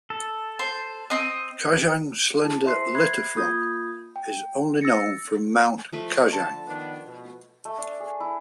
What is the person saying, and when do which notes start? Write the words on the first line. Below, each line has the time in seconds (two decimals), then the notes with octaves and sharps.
Kajang slender litter frog is only known from Mount Kajang.
0.10 A4
0.59 C5
1.10 C4 D#5
2.45 E4 G#4 A5
2.64 C5 E5 C6 C7
2.95 E5 B5 F#6 G#6 C7
3.35 A#3 F4 B5 D#6 G6 G#6
4.16 G5
4.81 E6 A6 A#6 C#7
5.92 F3 A3 B4
6.32 D3 A5
6.67 D#3 B3 D4
7.06 B2
7.65 A3
7.78 D4
8.00 G#4
8.20 E4